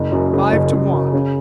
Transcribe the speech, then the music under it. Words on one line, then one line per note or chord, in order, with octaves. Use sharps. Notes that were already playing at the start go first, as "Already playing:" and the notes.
Five to one!
Already playing: F#1
F#2
C#3
F#1
F#1
F#2
C#3